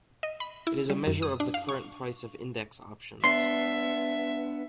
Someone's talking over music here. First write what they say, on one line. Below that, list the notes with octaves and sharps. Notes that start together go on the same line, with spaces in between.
It is a measure of the current price of index options.
D#5
B5
E4
G3
F#2
D#6
D4
F5
C#6
B3 D4 E5 C6 C7